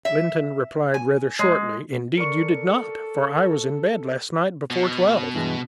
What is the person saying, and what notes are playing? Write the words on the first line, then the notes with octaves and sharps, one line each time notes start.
Lynton replied rather shortly, "Indeed you did not, for I was in bed last night before twelve."
E5
G#5
G#3
A4 A#4 D5 C#6 C#7
B2
G2 E3 G#3